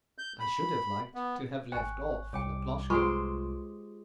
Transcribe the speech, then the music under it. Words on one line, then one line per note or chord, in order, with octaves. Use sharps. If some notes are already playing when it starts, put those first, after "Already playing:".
I should have liked to have left off Laploshka.
G6
B5
B3
G#1 G5 G#5 C#6 F#6
C2 C#5 G5 D6
G#3 F4 G4 B4 C5 C#6